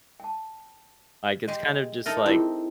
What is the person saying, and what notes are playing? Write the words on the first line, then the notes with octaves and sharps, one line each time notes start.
Like, it's kind of just, like
G5 A5
G#3 G4 D#5 G5
D#4 A4 A#4 E5
C4 E4 F4 G#4